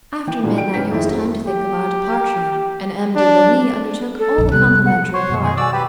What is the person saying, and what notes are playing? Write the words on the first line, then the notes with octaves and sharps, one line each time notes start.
After midnight it was time to think of our departure, and M. de Bernis undertook all the complimentary part.
E3 G5
G2 A#2 E3 F#3
G5 D7
G#2 C#3 C#4 B4 G5 B6
F2 D#3 E4 G#4
F#3 C4
G4
D4
A4
A#1 F2
C3 G3 B3 F#6
F#5
C5 C#5 C#6
F#2 B2 D#3
G#3 G#4
F#4 D5 G#5 D6 E6
G4 B4 G5